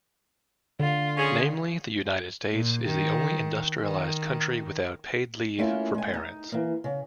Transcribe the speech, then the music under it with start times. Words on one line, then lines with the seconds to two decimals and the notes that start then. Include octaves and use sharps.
Namely, the United States is the only industrialized country without paid leave for parents.
0.80 D3 F4
1.17 C#4 G#4
2.52 A#2
2.86 D#3
3.80 D#3
5.58 A3 A#3 C#4 E4 F4
5.94 G#3 G#5
6.13 D#4
6.52 E3 A#3
6.84 C#3